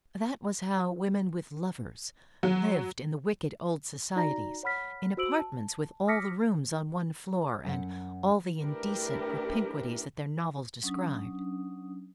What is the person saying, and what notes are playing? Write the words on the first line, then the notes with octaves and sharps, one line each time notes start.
That was how women with lovers lived in the wicked old societies, in apartments with all the rooms on one floor, and all the indecent propinquities that their novels described.
F#3
D#4 F#4 D5 A#5 A#6
C#5 F#5 B5 F6 B6
F#4 C5 E6 D7 F#7
A5
D6 D#6 F6 A#6 B6 C#7
F#2 F#5
A3 D4 E4 G4 A#4 B4
F#3 C#4 D4 D#6